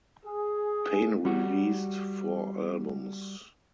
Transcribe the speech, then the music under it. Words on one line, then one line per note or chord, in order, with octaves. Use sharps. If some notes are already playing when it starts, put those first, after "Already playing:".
Pain released four albums.
G#4
G3 F#4